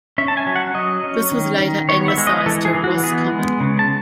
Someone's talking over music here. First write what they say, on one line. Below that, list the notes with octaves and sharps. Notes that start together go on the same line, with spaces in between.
This was later anglicised to Roscommon.
C#4 E5
A5
G#5
F#3
F#5
F#3 D#5
C#4
D#3
D#3
B3 C#5
E5
G#3
D#5
E3 A4
G#4
E3
F#4
B3 G#4
G#3
C#3
A5